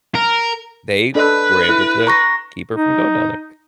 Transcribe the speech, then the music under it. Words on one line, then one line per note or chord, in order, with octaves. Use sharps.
they were able to keep her from going down there.
A#4
D4 A4 B4 D#5
E4
A#5 C#6 A#6
D#4